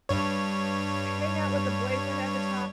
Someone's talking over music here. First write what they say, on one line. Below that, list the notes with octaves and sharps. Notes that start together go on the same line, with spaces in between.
hang out with the boyfriend at the ti
G2 C#5